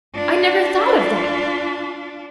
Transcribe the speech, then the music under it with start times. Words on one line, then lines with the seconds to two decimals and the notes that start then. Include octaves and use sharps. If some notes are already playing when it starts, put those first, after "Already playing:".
I never thought of that!
0.15 D4 F4